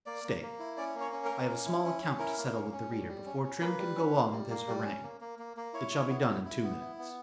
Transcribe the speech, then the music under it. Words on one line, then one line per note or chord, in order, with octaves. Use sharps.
Stay--I have a small account to settle with the reader before Trim can go on with his harangue.--It shall be done in two minutes.
A#3 D5
A#3
A#3
E4
C#4 D5
A#3
C#5
C#4
A#4
A#3
C#4
E4
C#4
C#4
E4 A#4
A#3
C#4
C#4
G3
G3
C#4
C#4
A#3 B4
G3
C#4
A#3
G3
A#3
G3
C#4
A#3
A#3
A#3
A#3
E4 C#5
E4
B3
E4
E4
B3
E4
B3